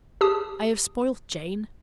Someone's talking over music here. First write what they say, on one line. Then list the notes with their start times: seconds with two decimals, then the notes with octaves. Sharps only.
I have spoiled Jane.
0.21 G4 G#4 A5 D#6